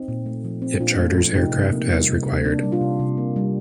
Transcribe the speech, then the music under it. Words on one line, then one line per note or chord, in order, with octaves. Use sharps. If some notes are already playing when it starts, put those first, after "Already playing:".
It charters aircraft as required.
Already playing: C4 D#4
A#2
A3
F3
C4
A#2 D4 F4
A3
F3
C3 D#4 G4
C3
A#3
G3
C3
C3
A#3 D4
G3
D4 F4
C3
C3
A#3
G3